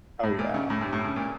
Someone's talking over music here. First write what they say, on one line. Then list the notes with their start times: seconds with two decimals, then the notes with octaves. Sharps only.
Oh, yeah.
0.23 A2
0.39 A#2
0.54 C#3
0.70 A2
0.81 G2
0.93 A2
1.04 C#3
1.16 A#2